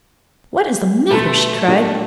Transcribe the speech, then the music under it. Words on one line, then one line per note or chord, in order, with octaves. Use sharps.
"What is the matter?" she cried.
B2 A3 A4 B4 A5 C6
A#2 D4 F4 G4